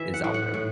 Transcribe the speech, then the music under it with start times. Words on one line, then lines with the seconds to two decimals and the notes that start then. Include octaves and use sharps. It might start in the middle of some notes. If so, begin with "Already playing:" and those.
is out there.
Already playing: E3 E5
0.14 F#5
0.24 A2
0.34 F#5
0.54 A2